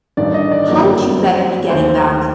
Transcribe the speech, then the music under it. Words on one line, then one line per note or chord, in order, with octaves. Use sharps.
Hadn't you better be getting back?
A1 G2 D#3 D5
D#5
D5
G1 F#2 F#3 A#3
F#2 F#3 C4
D#2 D#3 A3 C4 C5